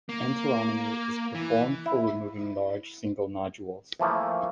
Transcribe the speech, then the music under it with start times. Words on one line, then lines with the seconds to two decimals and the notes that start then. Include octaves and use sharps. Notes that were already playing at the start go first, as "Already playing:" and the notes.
Enterotomy is performed for removing large, single nodules.
0.09 A#3
1.35 E3
1.86 E4
4.00 E3 F3 A3 A#3